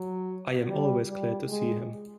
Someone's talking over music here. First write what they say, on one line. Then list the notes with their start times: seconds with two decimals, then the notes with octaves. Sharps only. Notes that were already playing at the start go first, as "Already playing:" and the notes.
I am always glad to see him.
Already playing: F#3
0.67 G3
1.08 G3
1.48 G#3